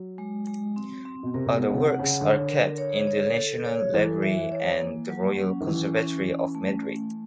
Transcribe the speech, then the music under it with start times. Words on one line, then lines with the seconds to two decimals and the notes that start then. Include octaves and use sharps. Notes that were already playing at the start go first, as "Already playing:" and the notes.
Other works are kept in the National Library and the Royal Conservatory of Madrid.
Already playing: F#3
0.18 G#3
0.47 G#3
0.76 C4
1.05 C4
1.23 B2
1.34 C3 A#4
1.46 C3
1.56 B2
1.63 F#5
1.69 C#3
1.77 C3
1.92 F#5
1.99 C#3
2.21 D3 C#5
2.49 A#4
2.78 C#5
3.07 C#5
3.36 A4
3.65 C#5
3.93 E3 A4
4.22 E5
4.52 C#5
4.81 A#3
5.10 F#3
5.38 C#4
5.61 D#3
5.67 E3 C#4
5.97 C#4
6.25 C#4
6.55 A3
6.82 A3